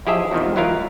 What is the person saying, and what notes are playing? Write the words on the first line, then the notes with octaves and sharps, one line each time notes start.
All the time.
E4 G4 G#4 D#5 E5
E2 C3 D#3 F3
D#2 F#3 E4 F4 A#4 F5